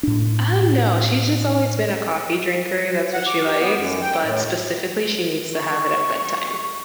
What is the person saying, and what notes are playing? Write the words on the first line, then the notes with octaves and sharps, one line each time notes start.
Um, no, she's just always been a coffee drinker. That's what she likes, but specifically, needs to have it at bedtime.
A2 D4
F#5
D6
G4
B3
F#2
G5
A2
C#6